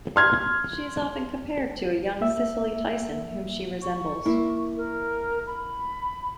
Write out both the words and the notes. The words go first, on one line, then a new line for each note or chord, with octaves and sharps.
She is often compared to a young Cicely Tyson, whom she resembles.
C6 F6 G#6
A#3 E5
C#6
A#3 E4
A#4
B5